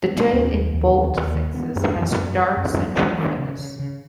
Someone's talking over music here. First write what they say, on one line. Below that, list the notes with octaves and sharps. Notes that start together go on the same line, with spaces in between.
The tail in both sexes has dark central feathers.
B3
D#2
D#2
D#2
D#2
D#2
D#3
B3
F#2
F#2
F#2
F#3
F#2
F#3
F#3
D#3
C#3
C#3
C#3